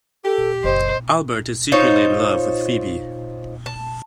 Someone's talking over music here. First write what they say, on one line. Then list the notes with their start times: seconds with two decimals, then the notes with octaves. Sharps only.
Albert is secretly in love with Phoebe.
0.25 G4 A4
0.64 F#1 C5 D#5
1.72 D#4 F4 C5 C#5
3.66 A5